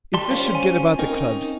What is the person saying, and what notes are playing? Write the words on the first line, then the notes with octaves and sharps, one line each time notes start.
If this should get about the clubs!
G3 A5 C6
C#4 F4 C5
G#5
C4 C#4 D#4 A#4